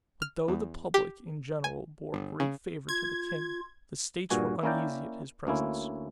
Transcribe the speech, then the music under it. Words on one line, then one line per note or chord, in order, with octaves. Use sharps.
But though the public in general bore great favor to the king, the states were uneasy at his presence.
F6
E2
G4
G#5
G1
C#3
F4 G#6
G2 A#2 F#4 G#5
A#3 C#4 E4 A#4 D5 G5
D2 A#3 C#4 E4